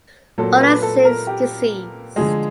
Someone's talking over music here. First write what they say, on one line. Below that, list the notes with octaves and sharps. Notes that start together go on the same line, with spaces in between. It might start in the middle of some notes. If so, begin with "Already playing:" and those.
All are since deceased.
A#2 F#3 A4
B4
A4
A#4
G4
D3 F3 G#3 G#4